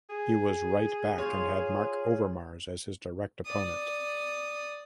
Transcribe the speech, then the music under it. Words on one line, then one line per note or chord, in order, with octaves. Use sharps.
He was right back and had Marc Overmars as his direct opponent.
G#4
F4 C5 C#5
D5 D#6